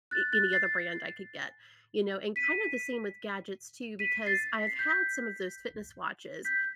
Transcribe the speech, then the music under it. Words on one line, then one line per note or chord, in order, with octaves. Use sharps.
a any other brand I could get, you know, and kinda the same with gadgets, too, because I have had some of those fitness watches
F#6 A6
F#6 A6
A6 C7
B6 D#7
B6 D#7
A6 C7
B6
C7
G6 B6
G6 B6